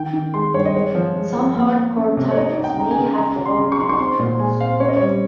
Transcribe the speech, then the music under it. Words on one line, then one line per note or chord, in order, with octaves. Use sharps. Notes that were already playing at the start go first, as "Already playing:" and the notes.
Some hardcore titles may have their own unique rules.
Already playing: D#3 G5
D#3
G#3 C6
G2 C#5
D#5
G#3 C#5
F3
G#3
F3
A#3
A#3
C#4
C3
C#5
D#4 D#5
D#4
G5
C#3 A#5
G#5
C#3
C#3 A#5
C#3
C6
C#3
C#6
D#4 C6
C#6
C4 C6
A#2
G#3 G#5
C4 F5
C#4 C#5
D#5
G3 C#5